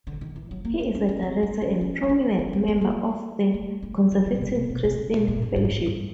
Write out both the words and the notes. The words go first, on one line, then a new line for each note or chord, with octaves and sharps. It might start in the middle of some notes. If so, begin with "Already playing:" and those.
He is a director and prominent member of the Conservative Christian Fellowship.
D3
D#3
E3
F#3
A#3
B3
C#4
C#4
C4
D4
C#4
C#4
D4
C#4
C4
C4
B3
A#3
A3
A3
F3
D#3
C3
C#3
C3
B2
C3
C#3
B2
A#2
G#2
G#2
A2
G2